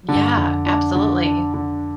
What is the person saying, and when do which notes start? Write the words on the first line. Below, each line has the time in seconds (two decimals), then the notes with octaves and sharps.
Yeah, absolutely.
0.09 D3
0.16 G2
0.37 F2 D3
0.66 D4
0.95 D3
1.25 D4
1.54 D3